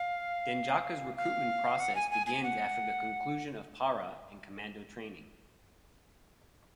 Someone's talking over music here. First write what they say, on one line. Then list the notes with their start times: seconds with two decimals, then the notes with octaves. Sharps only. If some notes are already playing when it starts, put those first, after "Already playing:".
Denjaka's recruitment process begins after the conclusion of para and commando training.
Already playing: F5
1.17 F5
1.80 F#5
1.95 G#5
2.11 G#5
2.26 G#5
2.43 F#5